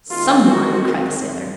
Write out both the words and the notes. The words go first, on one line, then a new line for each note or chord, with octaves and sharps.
"Some one," cried the sailor.
D#3 G#3 C4 F4
F#4